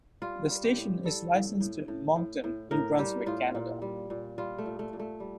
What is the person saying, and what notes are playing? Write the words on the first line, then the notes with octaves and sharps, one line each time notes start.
The station is licensed to Moncton, New Brunswick, Canada.
G3 F4
G3
G4
A2
G3 A4
A2
A2
A2
A2
A2
A2 A#4
G3 G4
A2 F4
A#2
G3
A#2
G3 F4
A3
A#2
A3
A#2
A3
G3